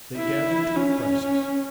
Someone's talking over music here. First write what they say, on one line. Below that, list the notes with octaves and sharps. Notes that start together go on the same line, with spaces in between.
They gathered to a crisis.
E4
C#4